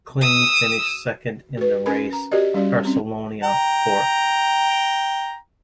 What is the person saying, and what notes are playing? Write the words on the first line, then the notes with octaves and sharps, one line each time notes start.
Kling finished second in the race, Caracciola fourth.
D#6 E6
F#4 B4
C#4 A#4 G#5 B5
A#5
F#4 G4 A#4 D5 D#5
G3 C#4 F#4 D5
C4 C#4
G5 A#5